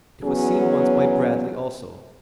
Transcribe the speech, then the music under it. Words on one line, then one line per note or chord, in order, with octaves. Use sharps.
It was seen once by Bradley also.
E2 F#3 B3 C#4 G#4